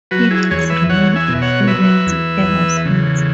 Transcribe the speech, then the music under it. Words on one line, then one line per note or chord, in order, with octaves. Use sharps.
He has remained a freelance ever since.
F#3 F#4 B4
E4 G#4
E2 G#4 C#5
B4 E5
E2 C#5 F#5
E5 G#5
B2
C#5 F#5
F#3 B4 E5
E2
E2
C#3